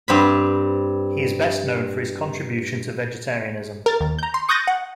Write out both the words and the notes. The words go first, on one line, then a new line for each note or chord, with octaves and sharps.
He is best known for his contribution to vegetarianism.
G2 C4 B5
A#4 A6
D#2
A#5 G6
C6
C#6 D#6 F#6 G6 A6 A#6
F#5